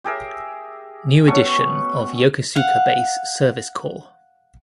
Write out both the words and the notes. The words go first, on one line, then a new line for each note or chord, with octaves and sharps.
New edition of Yokosuka Base Service Corps.
G4 G#4 A#4 E5
B2 A3 C#4 C#6
F5 F#5